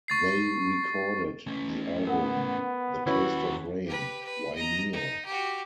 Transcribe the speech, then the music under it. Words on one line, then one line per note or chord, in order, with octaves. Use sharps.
They recorded the album The Taste of Rain... Why Kneel?
C#6 A6 C7
A3 C#4
B3 A#4 F#5
D#2 C#4 E4 F#4 B4 B5
G4 B4
B4
D#5 A#5
D#4
F#4 G4